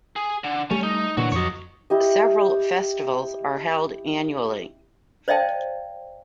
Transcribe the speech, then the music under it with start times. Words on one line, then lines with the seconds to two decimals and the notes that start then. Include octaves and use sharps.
Several festivals are held annually.
0.16 G#4
0.44 D3
0.71 G3 A3 C#4
0.83 D#4
1.17 A#2 D3 E3 F#4 C#5
1.32 F2 F#3 C#5 D#5
1.90 E4 G4 D#5
5.28 C5 D5 D#5 F5 G5 A5